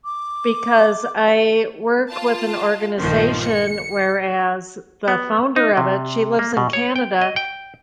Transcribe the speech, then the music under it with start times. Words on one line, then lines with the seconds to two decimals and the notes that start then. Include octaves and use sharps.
because I work with an organization whereas the founder of it, she lives in Canada,
0.05 D6
2.11 F4 A5
2.98 A#1 G2 D#3 F3
3.44 C#7
5.08 B3
5.56 D#4
5.77 C3
6.39 A#3
6.57 B2
6.73 C#5
6.96 G5
7.22 D#5
7.36 G5